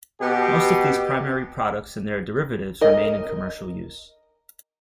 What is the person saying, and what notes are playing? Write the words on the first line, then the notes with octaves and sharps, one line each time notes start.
Most of these primary products and their derivatives remain in commercial use.
B2 B3 G4
A#4 D#5